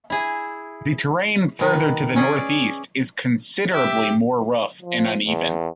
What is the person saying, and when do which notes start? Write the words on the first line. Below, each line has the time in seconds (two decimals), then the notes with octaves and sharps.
The terrain farther to the northeast is considerably more rough and uneven.
0.10 E4 G#4
1.59 B2 D#3 B4
2.16 C#4 G#4 D5
3.73 G4 E5
4.82 F3
5.27 E2